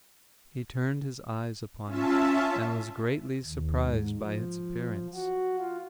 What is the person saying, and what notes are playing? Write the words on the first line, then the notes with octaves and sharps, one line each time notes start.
He turned his eyes upon it, and was greatly surprised by its appearance.
C#4 F4 E5 A5
D#2
G#2
F3
F#4
F4